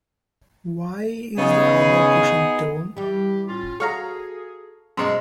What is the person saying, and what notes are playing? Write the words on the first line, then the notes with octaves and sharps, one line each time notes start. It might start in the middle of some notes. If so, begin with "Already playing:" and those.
Why is the other cushion torn?
C#3 B3 D#4 G#4
E3 G3 G4
A2 C#4 F4
F#4 G#4 A4 C#5 F5 A#5
F#2 B2 G#3 C5